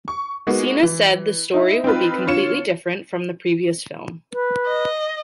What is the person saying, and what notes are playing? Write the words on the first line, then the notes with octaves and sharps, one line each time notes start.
Sinha said the story will be completely different from the previous film.
C#6
G#3 A#3 B3 D#4 F#4
E3
D#4 E4
C4 D#4 F4 B4
D3 F4 C#5 C#7 E7
B4
D#5